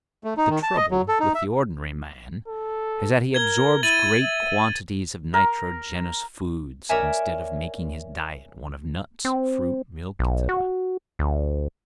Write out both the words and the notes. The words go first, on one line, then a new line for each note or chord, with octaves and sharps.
The trouble with the ordinary man is that he absorbs great quantities of nitrogenous foods instead of making his diet one of nuts, fruit, milk, etc.
A3
D#4
D#3
A5
D#5
F#3
A4
D#4
E5
A4
A#4 G#6 G7
E4 A6 D#7 F#7
E5
A#4
A#4 C#5 D5 E5 G#5
C4
B1
F#4
D2